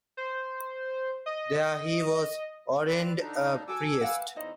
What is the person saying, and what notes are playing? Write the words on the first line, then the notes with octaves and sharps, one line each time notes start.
There he was ordained a priest.
C5
D#5
C4 B4 D5
D3 D4 D#4
F#4 A4 G#5 D6 E6
B4 F5 F#5
E2 B2 E3 D#4 C5 D#5